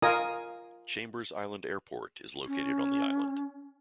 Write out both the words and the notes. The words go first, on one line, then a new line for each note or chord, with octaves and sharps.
Chambers Island Airport is located on the island.
F4 A#4 D#5 G#5 D#6
C#4